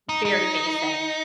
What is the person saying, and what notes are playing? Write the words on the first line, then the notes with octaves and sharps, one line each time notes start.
very basic.
D#4
D#4